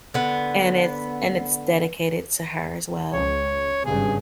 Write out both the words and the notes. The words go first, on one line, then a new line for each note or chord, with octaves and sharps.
and it's and it's dedicated to her as well.
D3 B3
C#2 C#5
G#1 G2 C#3 G#4